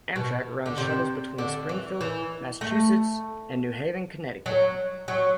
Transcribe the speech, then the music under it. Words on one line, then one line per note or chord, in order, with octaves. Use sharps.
Amtrak runs Shuttles between Springfield, Massachusetts, and New Haven, Connecticut.
B2
D3
C3
D3
E3
E3
A3
F#3
F#3